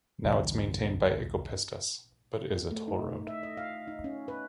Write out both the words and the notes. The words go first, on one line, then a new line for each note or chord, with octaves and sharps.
Now it's maintained by Ecopistas, but is a toll road.
B1 E2 D3 G3
A3
D#4
E5
D#5
F5
D#4
C#4
B4